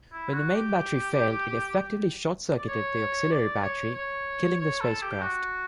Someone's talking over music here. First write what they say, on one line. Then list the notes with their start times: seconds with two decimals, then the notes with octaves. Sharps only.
When the main battery failed, it effectively short-circuited the auxiliary battery, killing the spacecraft.
0.13 E4
0.33 F#4
0.54 G4
2.57 D5
2.68 C#5
3.31 D5
3.63 C#5
3.95 C#5
4.60 C#5
4.81 A4
5.02 G4
5.22 F#4